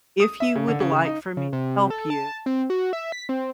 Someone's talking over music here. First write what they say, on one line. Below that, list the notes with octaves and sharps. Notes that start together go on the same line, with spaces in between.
If you would like for me to help you,
D#6
E5
C#3
D3
C#3
C#3
D#4
C#3
C3
A4
A5
C4
F#4
E5
B6
C4